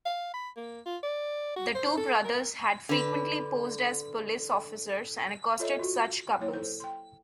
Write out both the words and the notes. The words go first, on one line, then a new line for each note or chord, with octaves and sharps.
The two brothers had frequently posed as police officers and accosted such couples.
F5
B5
A#3
F4
D5
F#4
C5
A4
A#4
D3 B4
F4 A4 C5 C#5 D#5 E5
F4 F#4
F#3 A#3 E4 C#5 G5
A4 C5
G5 C6